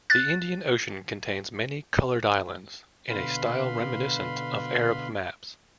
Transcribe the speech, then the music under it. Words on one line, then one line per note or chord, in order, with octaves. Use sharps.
The Indian Ocean contains many colored islands, in a style reminiscent of Arab maps.
F#6 A6
B2 D3 B4 F5 B5 C6